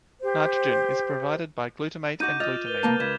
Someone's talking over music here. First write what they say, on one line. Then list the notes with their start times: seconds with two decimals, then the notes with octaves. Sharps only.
Nitrogen is provided by glutamate and glutamine.
0.21 G4 C5
2.20 D#4 F#4 D6 G6 D#7
2.40 F4 D#5 F6 A6 F7
2.67 A#4 B4 G7
2.83 C2 A#3 A5
3.00 C#2 G#6 B6 E7